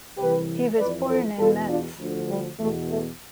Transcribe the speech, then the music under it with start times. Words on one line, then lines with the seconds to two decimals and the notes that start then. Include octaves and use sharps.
He was born in Metz.
0.16 C2 C3 E3 G4 B4
0.77 F2 E3 B4 D5
1.07 A4 C5
1.38 E2 B2 F4 A4
1.68 D4 F4
1.98 D2 D3 F3
2.28 G3
2.58 E2 B2 A3
2.89 A3